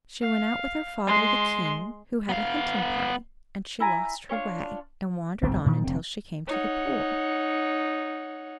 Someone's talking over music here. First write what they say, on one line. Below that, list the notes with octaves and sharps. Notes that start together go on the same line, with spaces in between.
She went out with her father, the King, who had a hunting party; and she lost her way, and wandered on until she came to the pool.
F5
G#3 C6
B3 F5
E4 G#5 A#5
D4 F4 G4 C#5
G1 C2 G#2 C4
G2 A#2 D#3 F3
F1 D3 C4
D#4 C#5 F#5